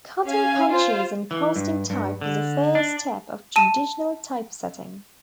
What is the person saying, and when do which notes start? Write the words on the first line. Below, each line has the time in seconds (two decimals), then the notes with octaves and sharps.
Cutting punches and casting type was the first step of traditional typesetting.
0.24 C#4 F5 G#5
0.69 F4 C5
1.31 E3
1.56 G2
1.90 G2
2.21 D3
2.75 D4
3.56 A5 D#7